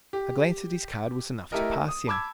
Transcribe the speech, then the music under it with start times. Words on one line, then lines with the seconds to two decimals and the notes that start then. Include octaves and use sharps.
A glance at his card was enough to pass him.
0.13 G4
1.52 A3 E4 G4 A4 A#4 D#5
1.88 D#6
2.07 A5 B5 D6 E6 G#6